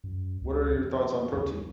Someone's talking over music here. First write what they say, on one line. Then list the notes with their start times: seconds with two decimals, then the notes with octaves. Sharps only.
What are your thoughts on protein?
0.04 F#2
0.41 C#2
0.77 F2
1.37 E2